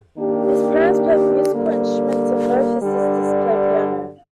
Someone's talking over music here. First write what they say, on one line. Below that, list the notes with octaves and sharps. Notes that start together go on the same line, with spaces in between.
His parents played musical instruments and both his sisters played piano.
D#3 A#3 D4 G4
D3 G3 A#3
G2 D3 G3